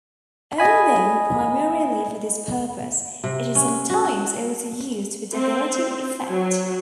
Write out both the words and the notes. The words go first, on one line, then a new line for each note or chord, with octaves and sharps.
Although primarily for this purpose, it is sometimes also used for decorative effect.
D#5 G#5 B5
C3
C#4
F#4
C4
F#3